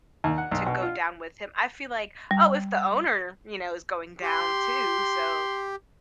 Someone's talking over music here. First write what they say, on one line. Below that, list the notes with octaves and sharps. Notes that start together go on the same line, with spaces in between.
to go down with him, I feel like, "Oh, if the owner, you know, is going down, too, so
D#2
F#5
B1
B2
F4
G3
G4 C6